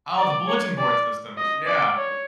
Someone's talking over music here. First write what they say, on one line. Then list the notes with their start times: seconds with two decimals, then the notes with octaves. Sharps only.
Oh, the bulletin board systems, yeah.
0.18 D5
0.47 C#5
0.78 D5
1.37 D#5
1.67 D5
1.97 C#5